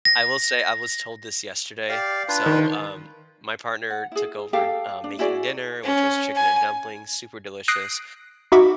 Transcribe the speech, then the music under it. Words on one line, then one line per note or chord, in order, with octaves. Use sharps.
I will say I was told this yesterday. So, um, my partner took over, uh, making dinner, which was chicken and dumplings, super delicious
A#6
G4 D5 F5
D4 F4 B4
D#3
F#5
E4 G#4
G4 A4 F5 G5
D4
E4 F#4 G#4 D5
C#4
G#5
D#6 F#6 A#6 C7 D7
D#4 F#4 E5 B5 C#6 D6